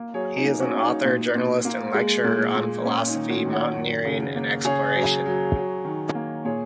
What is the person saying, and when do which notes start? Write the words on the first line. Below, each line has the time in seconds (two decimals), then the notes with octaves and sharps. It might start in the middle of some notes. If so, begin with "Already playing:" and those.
He is an author, journalist and lecturer on philosophy, mountaineering and exploration.
Already playing: A#3
0.14 F#3 G#4 C#5
0.37 D#4 G#4
0.45 A#3
0.59 C#4 F#4
0.75 A#3
0.82 D#4
1.05 A#2
1.35 A#2
1.65 A#3
1.95 G#3
2.24 A#2
2.55 A#2
2.84 A#3 C#4
3.08 D#4
3.15 D#3
3.30 C#4 F#4
3.45 D#3
3.52 C#5 F#5
3.75 F#2
4.05 C#3
4.35 A#3
4.65 C#3 G#4 C#5
4.95 F#3
5.26 F#3
5.55 F#3
5.85 D#3
6.15 A#3
6.45 A#2 G#4 C#5